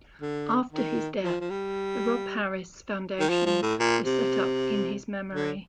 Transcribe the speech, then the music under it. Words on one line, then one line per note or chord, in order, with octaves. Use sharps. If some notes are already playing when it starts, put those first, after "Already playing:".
After his death, the Rob Harris Foundation was set up in his memory.
D3
D#3
F3
F3
G3
D#3
F3
F3
A2
A#2
C3
D3